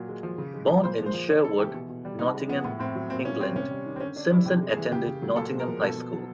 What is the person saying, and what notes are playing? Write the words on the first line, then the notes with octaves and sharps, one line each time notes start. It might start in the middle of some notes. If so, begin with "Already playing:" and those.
Born in Sherwood, Nottingham, England, Simpson attended Nottingham High School.
Already playing: A#2 F#3
G#3
F3
C#3
G#3
F3
A#2 C5
G#3
C5
F3
C#3 C#5
G#3 A4
E3 G4
B2
B2
G3
C3 D#4
G#3
F3 B3
A2 B3
A2 C4
F#3
A#2 C4
A#2 C#4
G3 C4
C3 C#4
G3
D#3
C4
D3 C#4
D3 D4
G3 E4
C3 G4
G#3
G#4
E3
C#3 G4
C#3
F#3
A#2 A4
G#3
A#4
F3
B2 A4
B2
F#3